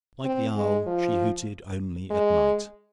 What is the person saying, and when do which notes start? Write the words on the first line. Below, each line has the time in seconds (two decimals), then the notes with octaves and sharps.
Like the owl, she hooted only at night.
0.25 C4
0.56 G#3
0.87 F3
2.11 G#3